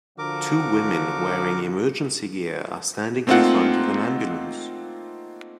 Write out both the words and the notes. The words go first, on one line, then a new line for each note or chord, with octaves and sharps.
Two women wearing emergency gear are standing in front of an ambulance.
D3 F3 F#4 A#4 D6
A3 A#3 C4 D#4 F4 F#5